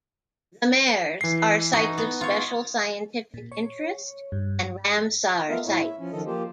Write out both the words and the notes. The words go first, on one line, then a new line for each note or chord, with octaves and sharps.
The meres are Sites of Special Scientific Interest and Ramsar sites.
E3 C7
D#4 F#4
B3
F4 C#5
A#2
C#5
G2
A3 B3 F4 A#4 D#5 E5
A2 E4 C#5
E5
F3 C#4
D#3 F3 A4 D#5
F3 A#3 G4 C5